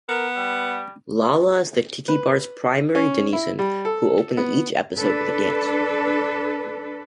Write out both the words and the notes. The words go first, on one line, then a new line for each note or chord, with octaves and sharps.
Lala is the Tiki Bar's primary denizen who opens each episode with a dance.
B3 A#4
G3
B4
C#4
E4
G3
A4
B3
D4 A4 B4